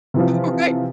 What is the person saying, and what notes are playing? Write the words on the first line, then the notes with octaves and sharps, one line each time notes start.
All right.
C3 E3 F3